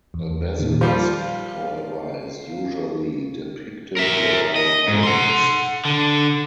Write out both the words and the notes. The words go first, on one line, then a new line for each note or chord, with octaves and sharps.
A basilisk, however, is usually depicted without wings.
E2
A#2 D#3
F3 G3 F4 F5
A#4 E5
D#5
G#2
F#5 C6
D3